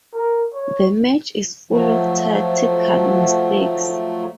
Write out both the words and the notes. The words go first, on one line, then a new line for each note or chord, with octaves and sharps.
The match is full of tactical mistakes.
A#4
C#5
F3 F#3 A3